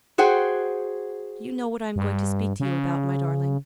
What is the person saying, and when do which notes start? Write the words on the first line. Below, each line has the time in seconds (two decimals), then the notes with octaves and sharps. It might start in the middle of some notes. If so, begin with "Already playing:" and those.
"Do you know what I am going to speak to you about, my darling?"
0.18 F#4 G#4 C5 F#5 G5
1.96 G2
2.60 C#3